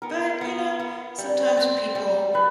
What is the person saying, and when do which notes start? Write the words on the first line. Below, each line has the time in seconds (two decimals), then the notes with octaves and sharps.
But you know, sometimes people
0.02 B3 A#4
0.41 B3
0.79 B3
1.18 G3
1.57 C4
1.95 G3
2.34 G3 B4